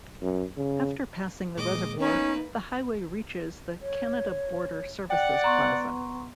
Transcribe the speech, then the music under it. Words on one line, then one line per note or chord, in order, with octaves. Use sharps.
After passing the reservoir, the highway reaches the Canada Border Services plaza.
F#2
C#3
A#2 G#3 D#5 D6
A#3 B3 C#4 D#4 B4
C#5
D5 F#5 G5
B3 A#5 C6 C#6